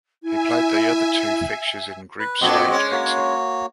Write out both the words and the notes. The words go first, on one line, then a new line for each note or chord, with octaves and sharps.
He played the other two fixtures in a group stage exit.
E4 E5 G#5
B4
A#2 A3 C4 D4 F#4 D#5
G#3 C#4
A#3 F#4 C#5